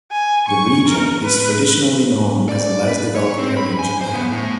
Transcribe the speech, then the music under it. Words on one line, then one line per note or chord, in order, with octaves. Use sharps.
The region is traditionally known as a less developed area of Japan.
G#5
C#6
A#4
B4
D5
B4
C#5
C4
B5
G#5
C5
B3
A2